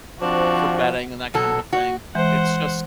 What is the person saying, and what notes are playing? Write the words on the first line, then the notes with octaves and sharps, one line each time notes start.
For betting and that kind of a thing. It's just
F3 C4 D4 F#4
B2 F#3 A4
F#4
E3 G#3 C5 F#5